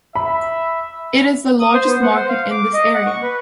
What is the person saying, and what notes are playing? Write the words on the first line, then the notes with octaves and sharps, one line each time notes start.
It is the largest market in this area.
E5 B5
D#6
C5
B3
F#5
C5
F5
D6
D#5
F#5
C#6
B4